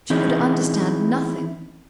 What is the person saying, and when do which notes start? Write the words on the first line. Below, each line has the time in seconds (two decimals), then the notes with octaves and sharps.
She could understand nothing.
0.10 E3 C4 C#4 D#4 E4 G#4